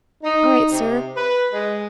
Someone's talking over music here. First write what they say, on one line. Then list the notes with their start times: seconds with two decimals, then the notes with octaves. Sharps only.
'All right, Sir.
0.23 D#4
0.71 C3
1.16 B4
1.52 G#3